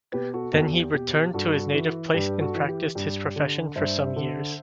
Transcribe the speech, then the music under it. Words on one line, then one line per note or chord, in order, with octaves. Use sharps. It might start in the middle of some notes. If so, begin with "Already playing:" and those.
Then he returned to his native place and practised his profession for some years.
B2 G4 B4
F#4 A4
E2 F#4 A4
G4
B2 G4
G4
G2 F#4 A4
E3
G2 G4 B4
F#4 A4
E3
G4
G2 G4
D3
G2 C5 E5
D3